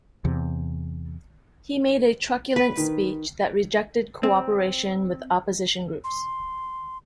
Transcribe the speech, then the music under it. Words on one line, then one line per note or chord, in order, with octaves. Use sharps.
He made a truculent speech that rejected cooperation with opposition groups.
E2 C3
B4
D#3
C4
C6